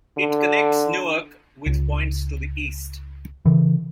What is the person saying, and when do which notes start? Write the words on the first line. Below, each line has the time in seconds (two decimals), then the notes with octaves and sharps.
It connects Newark with points to the east.
0.18 D3
1.66 C#2
3.46 C#3 E3